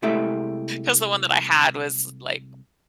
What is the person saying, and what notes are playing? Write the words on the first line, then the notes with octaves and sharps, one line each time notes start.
'cause the one that I had was, like,
C2 G#3 A3 E4 G4 E5